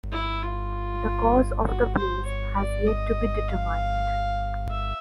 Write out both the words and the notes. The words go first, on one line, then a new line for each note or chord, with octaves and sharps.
The cause of the blaze has yet to be determined.
E4
F4
F#4
C5
C#5
D5
D#5
F5
E5